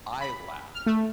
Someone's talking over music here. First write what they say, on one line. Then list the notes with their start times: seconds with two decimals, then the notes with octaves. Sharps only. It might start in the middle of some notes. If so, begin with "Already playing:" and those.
I laugh,
0.21 B5
0.75 F6
0.86 A3